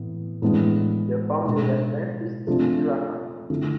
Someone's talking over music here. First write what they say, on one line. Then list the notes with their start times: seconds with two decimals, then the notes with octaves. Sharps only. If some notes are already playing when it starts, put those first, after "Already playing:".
The founder was Francis G. Graham.
Already playing: A2 E3 B3
0.42 A2 E3 G#3 B3 D4
1.45 B2 G#3 D4
2.47 C3 F3 A3 D4
3.50 D3 F3 A3 E4